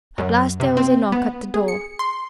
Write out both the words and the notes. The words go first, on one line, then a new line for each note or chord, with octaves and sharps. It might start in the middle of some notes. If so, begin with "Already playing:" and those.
At last there was a knock at the door.
F#2
C3
C4
B3
G#4
C#7
C6